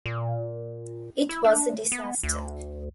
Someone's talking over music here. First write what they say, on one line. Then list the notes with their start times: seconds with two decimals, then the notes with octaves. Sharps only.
It was a disaster.
0.06 A#2
1.29 E4
1.44 D4
1.92 B3
2.23 D2